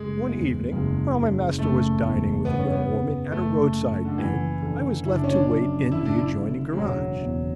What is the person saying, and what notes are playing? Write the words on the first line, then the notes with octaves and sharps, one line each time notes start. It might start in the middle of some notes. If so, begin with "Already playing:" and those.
One evening while my master was dining with a young woman at a roadside inn I was left to wait in the adjoining garage.
Already playing: F#1 G#3
E2
F#1 G#3
C#3
F#1 A3
E2
F#1 B3
C#4
B3
C#3
F#1 A3
F#2
D3
F#1 E3
D3
F#1 E4
D4
C#4
D4
F#2
F#1 E4
D4
E4
D3
G#3
E1 F#3
E2